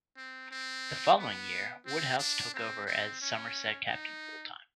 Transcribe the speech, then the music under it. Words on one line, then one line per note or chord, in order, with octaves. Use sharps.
The following year, Woodhouse took over as Somerset captain full-time.
C4
C4
B3
C4
D4
C4
C4
C#4
D#4